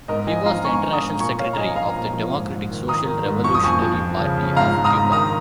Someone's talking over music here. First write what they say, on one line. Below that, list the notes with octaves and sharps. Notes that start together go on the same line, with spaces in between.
He was the international secretary of the Democratic Social-Revolutionary Party of Cuba.
G#2 A#4 D#5
F3 D#5 G#5
F3 F5 A#5
G#2 G#5 C#6
F3
A#5 D#6
G#2
A#2 G#5 C#6
A#2 C#5 F5
A#5
F3 D#5 G#5
F3 F5 A#5
A#2
F3
G#2
G#2
D#3
D#3 A#5 D#6
D#3
G#2
F2 C#6
D#6
F2 G#5 C#6
F2
F3
C#3
C#3
G#2 F5 A#5
G#2
A#5 D#6
G#2
D#3 A#5 D#6